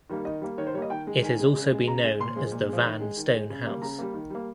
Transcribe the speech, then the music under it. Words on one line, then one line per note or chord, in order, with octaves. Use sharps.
It has also been known as the Van Stone House.
D#3 G3 A#3
D#3 D#5
G3 A#3
D#3 C#5
C5
G3 A#3 C#5 D#5
D#3 G5
G#3
D#3 G#5
G#3
C#3
G#3
C#3 A#5
G#3
A#2 C6
F3 G#3
A#2
F3 G#3
D#3
G#3
D#3
G#3
C#3
G3 A#3
C#3 A#5
G3 A#3
D#3
G3 A#3